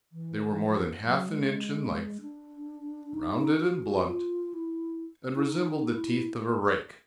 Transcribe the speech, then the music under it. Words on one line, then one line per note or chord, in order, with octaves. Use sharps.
They were more than half an inch in length, rounded and blunt, and resembled the teeth of a rake.
E3
D#3
E3
F3
F#3
G#3
D4
D#4
F#4
F#4
F4
E4
E4
D#4
E4